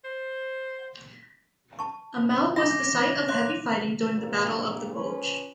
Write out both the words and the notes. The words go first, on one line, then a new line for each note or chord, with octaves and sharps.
Amel was the site of heavy fighting during the Battle of the Bulge.
C5
A5 C#6
D4 E5 D6 A#6
C#5 E5 C6 F#6
G2 A#2
F3 C#4 B4